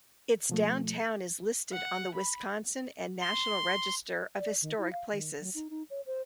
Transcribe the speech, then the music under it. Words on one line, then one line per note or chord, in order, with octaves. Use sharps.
Its downtown is listed on the Wisconsin and National Register of Historic Places.
B2 F3 A3
F#5
B5
C6
D5
D#3
E4
F5
D#3
F#3
D#4
D#4
C#5
C5